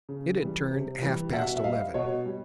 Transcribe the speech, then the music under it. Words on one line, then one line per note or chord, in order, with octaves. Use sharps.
It had turned half-past eleven.
C#3
E3 G3
C3
E3 G3
B2 E5 F#5
E5
G3 D#5 F5
B2 C#5 D#5
G3